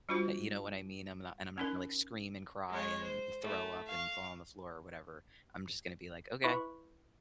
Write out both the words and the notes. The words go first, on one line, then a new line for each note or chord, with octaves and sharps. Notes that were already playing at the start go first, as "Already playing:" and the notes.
Uh, you know what I mean? I'm not and I'm not gonna, like, scream, and cry, and throw up, and fall on the floor or whatever. I'm just gonna be like, "Okay.
G3 D4 F4 F#4 C5
C#4 D#4 A#4
G#3 C#5
C5
A3 E4
F5 C#6
E4 B4 E5 B5 C#6